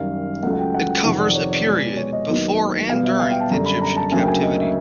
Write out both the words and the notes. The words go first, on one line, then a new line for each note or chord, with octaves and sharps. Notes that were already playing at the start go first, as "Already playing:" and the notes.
It covers a period before and during the Egyptian captivity.
Already playing: F#2 D#3 G3 F5
C#2 C#3 F#3 A3 F#5
F#5
G5
F#5
G5
F2 C3 D#3 F#5
D5
C#5
D5
B2 G#3 B3 D5
C#5
D#5
D#2 D#3 F#3 B3 D#5
B2 G3 B3 F5
E5
F5
G5
A5
F#2 D3 G3 A#5
B5
A#5
A5
D2 C#3 F#3 A#3 G#5
G5
G#5
D#5
E5